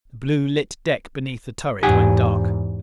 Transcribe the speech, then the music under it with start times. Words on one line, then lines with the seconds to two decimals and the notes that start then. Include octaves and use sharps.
The blue lit deck beneath the turret went dark.
1.83 E2 G#2 G4 F#5 G#5